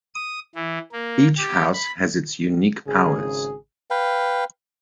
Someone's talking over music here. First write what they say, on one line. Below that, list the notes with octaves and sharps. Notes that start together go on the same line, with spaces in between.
Each house has its unique powers.
D#6
E3
A#3
G4
B5
G#1 C#3 G#4
B4 F5 G5